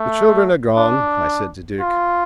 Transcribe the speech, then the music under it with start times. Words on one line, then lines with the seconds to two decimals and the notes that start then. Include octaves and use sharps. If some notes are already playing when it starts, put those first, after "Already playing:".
"The children are gone," I said to Dick.
Already playing: A3
0.77 D4
1.81 F4